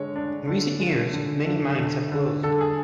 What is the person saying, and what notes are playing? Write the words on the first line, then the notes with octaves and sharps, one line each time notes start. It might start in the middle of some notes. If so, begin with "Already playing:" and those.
In recent years many mines have closed.
Already playing: D3 G#3 C#5
D4
D3
G#3
D3
D3
D3
D3
D3 A4
G#4